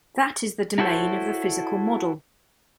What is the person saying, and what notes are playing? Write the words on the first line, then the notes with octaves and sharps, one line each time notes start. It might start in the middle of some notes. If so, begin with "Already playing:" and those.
That is the domain of the physical model.
D#4 E4 F#4 A4 C5 C#5